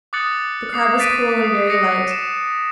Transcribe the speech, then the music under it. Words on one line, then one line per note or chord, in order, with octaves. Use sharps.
The crab was cool and very light.
D6 D#6 F#6 A6 C#7 F#7
D6 D#6 C7
D#6 F#6 A6 B6 D7 D#7
D#6 C7
D#6 A#6 C7 C#7
E7